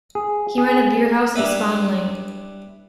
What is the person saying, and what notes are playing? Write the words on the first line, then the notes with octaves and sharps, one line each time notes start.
He ran a beer house in Spon Lane.
G#4
G#4
G3 D4 E4 B4